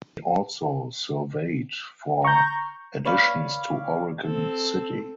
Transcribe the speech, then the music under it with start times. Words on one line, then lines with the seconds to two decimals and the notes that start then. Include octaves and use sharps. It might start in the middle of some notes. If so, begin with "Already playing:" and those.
He also surveyed for additions to Oregon City.
2.25 A#5 C#6 G6
3.05 C#5 D5 F5 B5
4.24 C4 A4